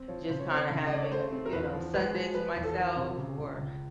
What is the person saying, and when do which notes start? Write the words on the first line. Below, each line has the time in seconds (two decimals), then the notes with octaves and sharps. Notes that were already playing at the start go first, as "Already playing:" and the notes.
just kinda having a, you know, Sunday to myself or,
Already playing: C4
0.08 F3 C#5
0.29 C#3 C5
0.40 C#5
0.50 C4 C5
0.70 C#3
0.87 D#5
0.91 A3 D5
1.03 C#5
1.11 A3 C5
1.32 C4
1.46 A#4
1.53 E2 B4
1.73 F3
1.94 G#3 B4
2.14 F3
2.34 F3 B4
2.56 E2
2.64 A4
2.75 F3 A#4
2.96 C3
3.17 C#3
3.38 C#2
3.58 C#2